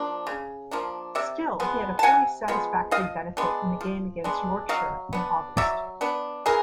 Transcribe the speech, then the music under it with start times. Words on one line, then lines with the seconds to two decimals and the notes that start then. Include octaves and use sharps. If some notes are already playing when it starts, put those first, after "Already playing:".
Still, he had a fully satisfactory benefit in the game against Yorkshire in August.
Already playing: F3 A#3 D4
0.27 C#3
0.71 F3 A#3 D4
1.15 C3 D5 E5
1.60 F3 G#3 B3
1.99 A5
2.03 C3 F#5 G#5
2.48 F3 G#3 B3
2.91 F3 D#5 F5
3.37 G#3 B3 D4
3.81 F3
4.24 G#3 B3 D4
4.69 F#3 D#5 F5
5.13 B3 D4
5.57 F#3 D5 E5
6.01 B3 D4
6.46 E3 G#4 A#4